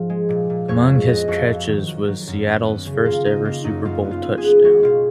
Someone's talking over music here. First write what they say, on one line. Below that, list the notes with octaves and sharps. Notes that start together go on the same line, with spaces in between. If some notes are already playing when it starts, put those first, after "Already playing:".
Among his catches was Seattle's first-ever Super Bowl touchdown.
Already playing: G#2 F3
G#3
A#2
A#2
F2 C#5
G#3
B3 D#5
F2 F#4
F2
D#3
F#3
F#3
F#2
F#2
B3
C#3
A#3 F4
A#3 D#4
A#3 F4
F#2 D#4
F#2 F4
B3
F4
B3
G#4
B3
G#3 F#4
B2 F4